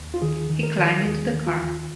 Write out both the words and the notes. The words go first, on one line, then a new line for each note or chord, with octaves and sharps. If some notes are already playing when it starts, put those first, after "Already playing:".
He climbed into the car.
Already playing: D#2
F4
D#3 G#4
D#3
A#4
D#3
D#2 G#4
D#3
F4
D#2